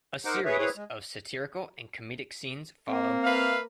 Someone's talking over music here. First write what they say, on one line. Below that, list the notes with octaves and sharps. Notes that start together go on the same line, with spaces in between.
A series of satirical and comedic scenes follow.
D#4 A#4 C5 F#5 D6
G#4 B4 C#5 E5
C4 E4 G#4 B4 C#5
G#3
A#3 C4
B4 E5 F5